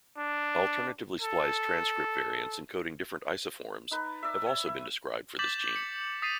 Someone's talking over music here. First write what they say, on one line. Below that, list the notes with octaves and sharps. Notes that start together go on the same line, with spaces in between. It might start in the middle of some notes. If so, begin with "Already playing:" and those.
Alternatively spliced transcript variants encoding different isoforms have also been described for this gene.
D4
A4
D#4 B4
D5 E5
C#5 E5
E5
D6 G6 A6 B6 E7 F#7
C#7
D#6 A6 B6 C7 D#7